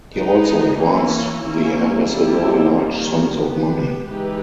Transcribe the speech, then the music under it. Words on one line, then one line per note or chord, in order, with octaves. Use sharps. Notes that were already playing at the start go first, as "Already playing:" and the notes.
He also advanced the ambassador large sums of money.
G#3 D#4 G#4 B4
E3 A#3 C#4
A#3 C#4 E4
G3 A#3 E4 G4
D#3 G3 A#3
B3 G4 B4
E3 G#3 D#4 G4 B4